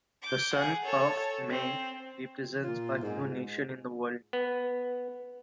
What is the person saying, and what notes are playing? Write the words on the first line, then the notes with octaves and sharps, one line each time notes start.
The Sun of May represents a new nation in the world.
D6 G6
G#4 F#5
A4 C#5
C4
A#2 F4
G#2
B3